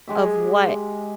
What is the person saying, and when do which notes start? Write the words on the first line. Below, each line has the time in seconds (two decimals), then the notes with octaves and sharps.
of what
0.08 G#3 G4 E5